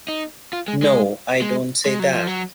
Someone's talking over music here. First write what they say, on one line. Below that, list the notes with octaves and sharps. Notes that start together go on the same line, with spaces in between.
No, I don't say that.
D#4
F4
G#3
G#3
G#3
G#3
F#3
F3
F#3